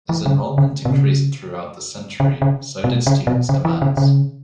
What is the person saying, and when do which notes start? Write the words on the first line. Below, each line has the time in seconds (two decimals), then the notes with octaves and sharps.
As enrollment increased throughout the century, so did students' demands.
0.09 E3
0.26 C#3
0.58 C#3
0.85 B2
0.90 C#3
2.20 C#3
2.42 C#3
2.84 B2
3.07 C#3
3.27 B2
3.49 C#3
3.65 E3
3.82 C#3
3.97 C#3